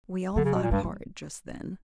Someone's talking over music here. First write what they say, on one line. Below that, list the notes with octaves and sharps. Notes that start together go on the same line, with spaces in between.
We all thought hard just then.
D3 F#3
C#3
B2
A#2
G2 G3
G3